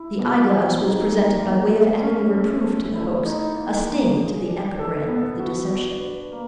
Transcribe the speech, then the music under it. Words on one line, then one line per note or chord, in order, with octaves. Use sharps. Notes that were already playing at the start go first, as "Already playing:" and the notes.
The eyeglass was presented by way of adding a reproof to the hoax--a sting to the epigram of the deception.
Already playing: E4
B2
C4
D#4
A#3
A#3
G#4
C#4
A3
A3
E4
D#4
A#3
A#3
G#4
D4
A4
B3
F#4
D4
B4
A#3